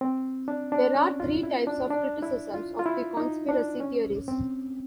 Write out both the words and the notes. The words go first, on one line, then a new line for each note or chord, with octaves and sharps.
There are three types of criticisms of the conspiracy theories.
C4
D4
D4
C#4
F4
E4
D4
D4
E4
F4
F4
E4
D#4
D4
C#4
C4